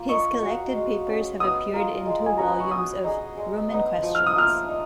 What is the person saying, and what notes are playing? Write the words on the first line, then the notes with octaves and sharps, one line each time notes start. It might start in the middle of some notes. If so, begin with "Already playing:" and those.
His collected papers have appeared in two volumes of "Roman questions".
Already playing: A#3 F4
D#4 C#6
F#4 C#5 F5
G#3
C#4 G#4
B3 D#6
F4 A#4
G#3
G#5
C#4 F#4 B4 A#5
B5
C#6
B3 D#6
D#4 G#4 D#5
G#3
B3 D#4
F3
F6
D#6
A#3 F4 F6
D#4